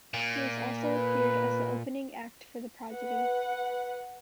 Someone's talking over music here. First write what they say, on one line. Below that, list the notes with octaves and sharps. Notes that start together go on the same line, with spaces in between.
He has also appeared as the opening act for The Prodigy.
A#2
B4
B4 F#5